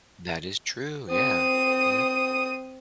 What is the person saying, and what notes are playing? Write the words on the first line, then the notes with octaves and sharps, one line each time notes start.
That is true, yeah, mhm.
C4 D#6